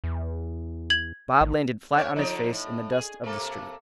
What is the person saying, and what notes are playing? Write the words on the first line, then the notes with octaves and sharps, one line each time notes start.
Bob landed flat on his face in the dust of the street.
E2
G#6 F#7
A1
C#4 C#5 D5
D3 F3 D#4
A2
G#4
C3 A#3 A4